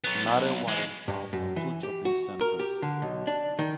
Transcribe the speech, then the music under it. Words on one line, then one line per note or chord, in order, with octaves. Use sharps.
Narre Warren South has two shopping centres.
F#3 B3
B1
E3 G#3
G2
F#2
E3
G4
F#4
A#4
G4
D3
B1
D4
D#3